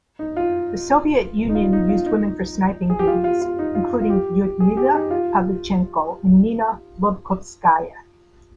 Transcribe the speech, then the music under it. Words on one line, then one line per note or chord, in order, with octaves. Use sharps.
The Soviet Union used women for sniping duties, including Lyudmila Pavlichenko and Nina Lobkovskaya.
D#4
F4
D#4
F4
D#4
F4
D#4
G#4
G4
F4
F4
F4
D#4
F4
F4
G4
G#4
G4
D#4
F4